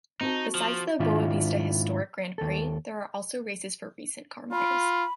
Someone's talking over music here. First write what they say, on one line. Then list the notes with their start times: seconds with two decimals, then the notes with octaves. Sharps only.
Besides the Boavista Historic Grand Prix, there are also races for recent car models.
0.21 C4 D#4 F#4 A5
0.55 F3
0.99 G#2 D#3 D4 E4 F4
2.38 D#2 A4
4.52 F4 B5